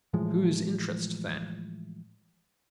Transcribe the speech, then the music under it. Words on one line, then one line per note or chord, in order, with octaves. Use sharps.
Whose interest then?
A2 E3 F3 G#3